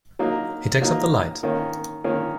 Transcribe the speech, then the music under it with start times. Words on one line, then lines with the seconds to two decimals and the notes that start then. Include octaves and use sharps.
He takes up the light.
0.19 F#3 A#3 D#4
0.81 F#3 A#3 D#4
1.43 D#3 A#3 C#4
2.04 D#3 A#3 C#4